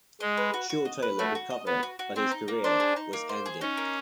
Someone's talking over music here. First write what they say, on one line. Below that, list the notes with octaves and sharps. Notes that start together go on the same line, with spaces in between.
Shawe-Taylor recovered but his career was ended.
G#3 D#5
B4
F#4
F#4
D#5
B4
A3 F#4
F#4
D#5
B3 B4
F#4
F#4
C4 G#4
D#4
A#3
D4 C5
G#4
D#4
A#3
C5
G#4
C#4 D#4
A#3